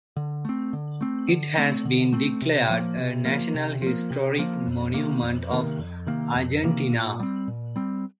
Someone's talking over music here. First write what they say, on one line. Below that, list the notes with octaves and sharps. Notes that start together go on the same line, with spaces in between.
It has been declared a National Historic Monument of Argentina.
D3
A3 C4
D3
A3 C4
D3
A3 C4
D3
A3 C4
C3
F3 A#3
C3
F3 A#3
C3
F3 A#3
C3
F3 A#3
F2
C3 D#3 A#3
F2
C3 D#3 A#3
F2
C3 D#3 A#3
F2
C3 D#3 A#3
A#2
G3 C4
A#2
G3 C4